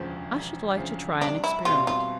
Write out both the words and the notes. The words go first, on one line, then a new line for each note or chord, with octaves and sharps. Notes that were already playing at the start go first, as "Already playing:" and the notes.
I should like to try an experiment.
Already playing: E1 D2 C#3 F3
E1
D2 C#3 F3
C2 D4
E4
B2 G3 C4 E4 F4
F4